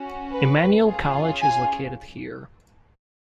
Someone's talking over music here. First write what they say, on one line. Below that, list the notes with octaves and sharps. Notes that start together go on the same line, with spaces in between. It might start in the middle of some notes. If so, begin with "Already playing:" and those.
Emmanuel College is located here.
Already playing: C#4 F#4
B4
C#4 F4 G#4
G#5